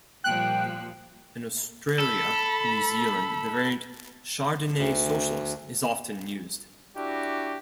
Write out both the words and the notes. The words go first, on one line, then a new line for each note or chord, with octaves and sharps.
In Australia and New Zealand, the variant "Chardonnay socialist" is often used.
A#2 F3 G3 G5 F#6
A4 B5
D2
D4 E4 F#4 G4